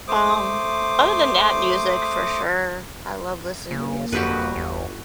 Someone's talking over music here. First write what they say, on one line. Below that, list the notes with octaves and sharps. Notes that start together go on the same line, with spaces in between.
Um, other than that, music, for sure. I love listening to music.
A3 C5 D6 D#6
C#3 A#3
G1 F2 F#4 G4 B4
E2